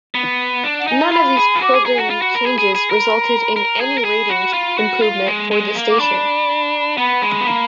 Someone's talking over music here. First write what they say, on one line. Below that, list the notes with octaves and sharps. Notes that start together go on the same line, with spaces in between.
None of these programming changes resulted in any ratings improvement for the station.
B3
D4
F#5
D#4 G#5
A#5
F4 B5
G#4
F4
F#4 D6
G#4
G#4 A#5
G#5
F#4 A#5
F4 B5
F#4
A#4
G#4
G#4
G#4
A#4
A#4
G#4 A#5
A#4
G#4 B5
F#4
F4
F#4
F4
G#3
G#3
A#3
D6
D4 B5
B3 B5
G#3
B3
A#3